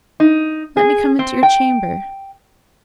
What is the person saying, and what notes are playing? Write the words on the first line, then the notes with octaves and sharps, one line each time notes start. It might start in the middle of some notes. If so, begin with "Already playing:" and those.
Let me come into your chamber.
D#4
G#4
C4
G5